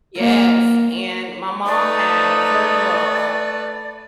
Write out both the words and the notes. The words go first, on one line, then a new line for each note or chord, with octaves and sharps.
yes, and my mom had her dog,
A#3
A3 D#4 B4 D5